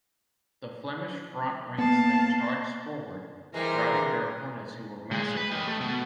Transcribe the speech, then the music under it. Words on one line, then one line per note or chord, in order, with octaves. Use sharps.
The Flemish front ranks then charged forward, routing their opponents who were massacred.
A#3 B3 F5 A5
E3 G3 G#3 A#4 C5 A#5 C6
G#3
B4
G4 D#5
A3
B2